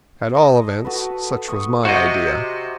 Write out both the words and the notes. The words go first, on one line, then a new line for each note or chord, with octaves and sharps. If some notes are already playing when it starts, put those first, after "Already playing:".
At all events, such was my idea.
D#5 A5
F#4 A4 B4
C#6 D#6
C3 F#4 A#4 C5 D#5 F#5